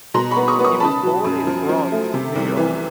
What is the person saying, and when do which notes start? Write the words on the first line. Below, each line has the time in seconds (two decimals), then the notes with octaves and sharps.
He was born in Bronx, New York.
0.14 B2 A#5 C6
0.31 B5 C#6
0.36 B3
0.48 C#6 D#6
0.59 B3
0.64 C#6 D#6
0.80 C#3 A5 B5
1.03 F#3
1.24 F#2
1.47 F3
1.69 F3
1.91 A3
2.14 C3
2.35 C2
2.57 E3